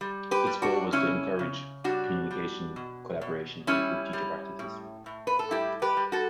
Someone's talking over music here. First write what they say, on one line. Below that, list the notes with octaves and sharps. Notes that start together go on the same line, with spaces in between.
Its goal was to encourage communication, collaboration, and improve teacher practices.
G3
G4 B4
G3
D4 F#4
C#3 C#4 E4
C#3
G3 D4 F#4
G3
B2
B2
G3 C#4 E4
G3
A2
A2
B4
A4
G3 E4 G4
G4 B4
G3
F#4 A4